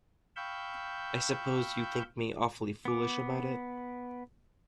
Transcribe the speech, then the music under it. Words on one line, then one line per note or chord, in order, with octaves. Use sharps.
I suppose you think me awfully foolish about it?
F5 G5 B5 C#6 E6 G6
B3 D6